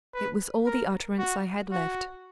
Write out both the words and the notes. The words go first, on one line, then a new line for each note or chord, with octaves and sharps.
It was all the utterance I had left.
B4
A#4
F#4
F#4